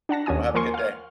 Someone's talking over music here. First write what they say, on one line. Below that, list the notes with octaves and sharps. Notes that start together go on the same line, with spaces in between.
Well, have a good day.
D4 F#5 A5 A#6
D#2 C#4 D4 G#5 D#6
F3 A#3 A#4 G#5 C6 C#6
F5 F6